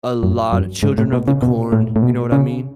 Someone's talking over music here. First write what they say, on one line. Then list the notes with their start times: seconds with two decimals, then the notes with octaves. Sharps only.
A lot of Children of the Corn, you know what I mean?
0.23 F#2
0.53 F#2
0.83 G#2
0.98 A2
1.13 B2
1.28 C#3
1.42 B2
1.72 A2
1.96 A2
2.02 B2
2.32 C#3